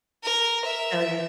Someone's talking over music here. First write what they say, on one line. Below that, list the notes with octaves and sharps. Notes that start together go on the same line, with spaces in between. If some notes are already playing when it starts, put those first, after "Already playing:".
Oh, yeah.
A#4
E5